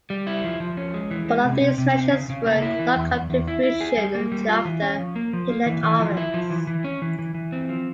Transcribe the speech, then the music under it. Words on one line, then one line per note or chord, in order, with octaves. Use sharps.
Both of these measures would not come to fruition until after he left office.
G3
E4
F3
F3
C#4
G#3
E3
G#3
C3
C3
C3
C4
C#3
C#3
A#3
E4
E3
E2
E2
E2
E4
E4
G#4
G3
A#3
G3
F4
E3
C#4
F3
A#3
F3
A#3
E3
E3
F3
E4
F3
E3
E3
C#4
E3
E3
E3
C4
F3